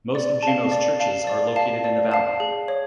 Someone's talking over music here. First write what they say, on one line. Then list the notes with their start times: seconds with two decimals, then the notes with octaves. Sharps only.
Most of Juneau's churches are located in the Valley.
0.15 D5
0.43 F5 A5
0.71 D5
1.00 F5 A5
1.27 D5
1.56 F5 A5
1.84 D5
2.11 F5 A5
2.40 G#4
2.68 C#5